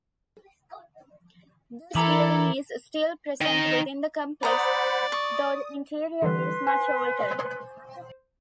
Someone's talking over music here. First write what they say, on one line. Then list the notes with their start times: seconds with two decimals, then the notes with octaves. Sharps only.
This building is still present within the complex, though the interior is much altered.
1.95 E3 E4 A4 A#4 A#5 D6 F#7
3.41 D#3 D#5
4.43 C5 D5 F#5 A#5 B5 D#6
5.12 C#6 D#6
6.22 D3 E3 G3 B4 C6
6.67 C5 G#5